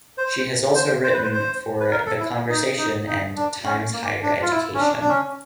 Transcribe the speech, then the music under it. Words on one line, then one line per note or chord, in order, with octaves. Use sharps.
She has also written for The Conversation and Times Higher Education.
C5
C5
C5
B4
C5
C5
B4
A#4
A4
E4
D#4
D#4
D#4
D4
C#4
A#3
D4
F4
E4
C#4
D4
D4
C#4